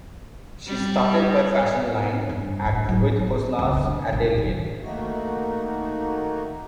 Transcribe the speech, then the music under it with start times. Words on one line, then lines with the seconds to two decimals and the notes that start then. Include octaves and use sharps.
She started her fashion line at Rohit Khosla’s atelier.
0.67 G3
2.29 G2
2.65 A2
2.89 F#3
3.19 A#3
3.59 C#2
3.77 D3
4.13 A#1
4.38 D#3
4.81 D#3 A3 A#3 D#4 F#4